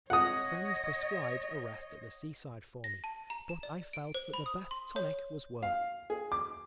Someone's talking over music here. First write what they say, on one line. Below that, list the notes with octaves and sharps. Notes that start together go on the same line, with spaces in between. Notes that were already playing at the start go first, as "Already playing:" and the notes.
Friends prescribed a rest at the seaside for me, but I felt that the best tonic was work.
C#5 D#5 F#5 D#6
A#6
A5
A#5
E7
D5
D7
C5
B5
D#6
C6
C#5
F5
G#4
D6